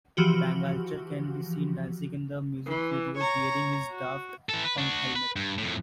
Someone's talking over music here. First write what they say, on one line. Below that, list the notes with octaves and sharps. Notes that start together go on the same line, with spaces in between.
Bangalter can be seen dancing in the music video, wearing his Daft Punk helmet.
E3 F3 F#4 G4
E3
C#5 A#5
F#4
E3 A4
B4
D4 F#4
B4
G2
F2 A2